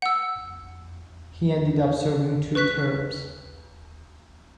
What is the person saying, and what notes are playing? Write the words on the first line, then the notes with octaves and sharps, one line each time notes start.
He ended up serving two terms.
F#5 E6
B4 C#6 F#6 B6